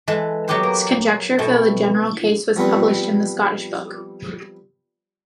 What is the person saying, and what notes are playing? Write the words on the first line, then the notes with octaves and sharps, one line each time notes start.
His conjecture for the general case was published in the Scottish book.
E3 G#3 A4 E5
F#3 B3 E4 G4 B4 C5
A#3
B2 A3 C4 E4
F3 G3 B3 C4